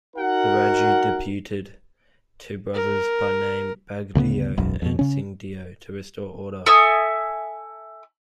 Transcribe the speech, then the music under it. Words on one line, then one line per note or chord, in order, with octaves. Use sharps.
The Raja deputed two brothers by name Baghdeo and Singhdeo to restore order.
D#4 F#4 A#4 F#5
A#4
D2 C#3 G3 B3
E1 B1 F#2
F2 B2
C#3 C#4
A4 E5 G#5 D#6